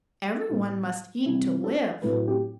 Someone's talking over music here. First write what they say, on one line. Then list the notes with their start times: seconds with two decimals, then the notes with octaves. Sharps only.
Every one must eat to live.
0.50 A2 G3 B3
1.25 C3 E3 G3 B3 E4
1.64 A4
2.02 A2 F#3 A3 B4
2.28 G4